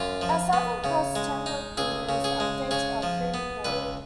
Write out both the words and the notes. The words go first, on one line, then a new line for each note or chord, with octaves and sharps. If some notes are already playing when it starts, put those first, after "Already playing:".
As "Southern Cross Ten Local News", the updates are pre-recorded.
Already playing: F#2 F4
F3
B3
C#3
G#3
D#4
C#2 G#4
C#3
G#4
G#3
C#3 G#4
F3
B3
C#2 B4